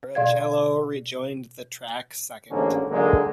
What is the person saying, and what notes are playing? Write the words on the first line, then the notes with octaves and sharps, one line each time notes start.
Barrichello rejoined the track second.
B2 D5 F5 G#6
A1 G#2 D3 A#3 C#4
D3 D#3 F#3 G#3 A#3